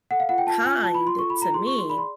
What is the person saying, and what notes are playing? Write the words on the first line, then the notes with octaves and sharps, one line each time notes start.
kind to me,
A4 F#5
F5
F4 F#5
G5
F4 A5
F4 G#5
F4 A5
B5
F4
C6
A4 C#6
B5
F4 A#5
G#4 C6
C#6
G#4
C6
D5 B5
C6